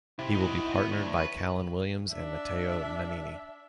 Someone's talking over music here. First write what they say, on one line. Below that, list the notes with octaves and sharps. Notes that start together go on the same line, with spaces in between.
He will be partnered by Calan Williams and Matteo Nannini.
C3 E4
D#4 F#4
B3
D2 C#5
B4
D4 E5